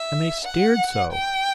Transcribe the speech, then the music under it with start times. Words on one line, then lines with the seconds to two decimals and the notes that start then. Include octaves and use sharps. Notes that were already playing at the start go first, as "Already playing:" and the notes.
And they stared so!
Already playing: E5
0.45 F#5
1.12 G5